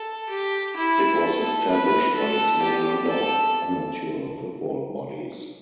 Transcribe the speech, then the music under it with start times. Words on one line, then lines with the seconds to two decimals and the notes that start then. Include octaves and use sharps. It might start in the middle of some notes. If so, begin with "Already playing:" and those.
It was established by a small number of amateur football bodies.
Already playing: A4
0.30 G4
0.77 E4
1.23 A4
1.69 B4
2.15 A4
2.61 G4
3.08 A4